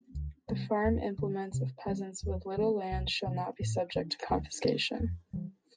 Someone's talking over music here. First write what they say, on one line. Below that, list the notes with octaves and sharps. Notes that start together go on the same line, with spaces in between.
The farm implements of peasants with little land shall not be subject to confiscation.
D2
C3 G3 A#3
E2
D3 G3
C3
E3 G3 C4
E2
E3 A3 C4
C2
C3 E3
A2
E3 A3 D4
D2
D3 A3 C4
F2
E3 G3